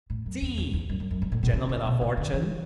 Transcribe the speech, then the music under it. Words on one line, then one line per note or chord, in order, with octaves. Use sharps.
Sea! Gentlemen o' fortune!
A2
F#2
E2
E2
E2
F#2
F#2
F#2
G2
A2
B2
C#3
D3
B2
C#3
D3
E3